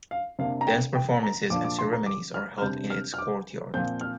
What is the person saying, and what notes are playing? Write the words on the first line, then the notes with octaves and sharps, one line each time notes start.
Dance performances and ceremonies are held in its courtyard.
F5
C3 A#3 D4 F5
A#5
G5
G5
A#5
A#2 F3 D4 D6
D6
C6
A#5
D6
F6
F6
C3 G3 D4 G6
F6
F6
D6
A#2 F3 C4 G6
F6